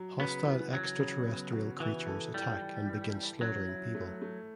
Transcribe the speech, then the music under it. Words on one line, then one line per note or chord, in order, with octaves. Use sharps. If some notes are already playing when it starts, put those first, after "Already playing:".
Hostile extraterrestrial creatures attack and begin slaughtering people.
Already playing: F#3
C#3 B3
E3
E3 F#3
C#3
B3
F#4
E3 F#4
A4
E3 G3
E3
E3
E3
F#3 C#4
E4
A3
A3